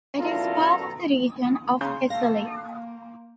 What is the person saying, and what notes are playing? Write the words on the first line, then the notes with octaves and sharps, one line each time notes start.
It is part of the region of Thessaly.
F#2 B2 E4 F4 A4 D5 A#5
C#3 A#5 C6 G6
A#3 F#4 A4 F5 A#6
A#3